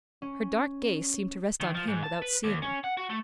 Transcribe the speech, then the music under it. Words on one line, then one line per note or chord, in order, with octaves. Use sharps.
Her dark gaze seemed to rest on him without seeing him.
C#4
D#3
F3
G#2
A5
B4
D#2
C#4
F#5
F#4
A3